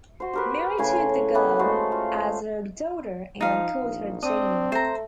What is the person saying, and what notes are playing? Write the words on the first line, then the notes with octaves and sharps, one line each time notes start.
Mary took the girl as her daughter and called her Janie.
F#4 C5
G4 A#4 B4
A2 C#3 G#5 C6
E3 A#3 B3 B5
G#3 A3 F#4 C5
F4
F3 D#4 F5
A#1
C4 D4 D#6
A3 C5 A#5